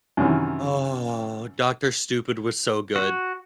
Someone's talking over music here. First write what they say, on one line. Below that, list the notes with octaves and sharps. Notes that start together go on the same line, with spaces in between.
Oh, Doctor Stupid was so good.
F#2 C3 D#3 E3
F#4